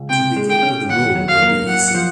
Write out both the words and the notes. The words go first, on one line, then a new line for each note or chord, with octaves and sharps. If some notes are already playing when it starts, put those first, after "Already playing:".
To begin with the rule will be easy.
Already playing: C#2
C3 G5
G#3
G5
C#4
D#2 F#5
F#3
F5
A#3
F#2 F#5
F3